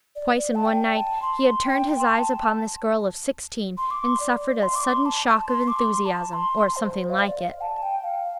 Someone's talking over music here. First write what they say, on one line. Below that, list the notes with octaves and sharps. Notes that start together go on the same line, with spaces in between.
Twice, in one night, he had turned his eyes upon this girl of sixteen, and suffered a sudden shock of enthusiasm, or something like it.
D5
D5
A5
G5
A5
C6
G5
C6
A5
C6
D6
C6
D5
C6
D6
C6
A5
A5
C6
D6
C6
A5
C6
C5
F5
D5
F5
A5
G5
F5